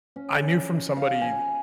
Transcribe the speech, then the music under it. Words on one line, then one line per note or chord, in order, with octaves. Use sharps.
I knew from somebody,
C#4
F5
G#5